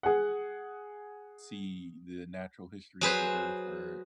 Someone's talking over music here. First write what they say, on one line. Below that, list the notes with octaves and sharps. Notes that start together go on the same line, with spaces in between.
see the natural history of the earth or,
G#4 F#5
F#3 G#4 B4 C5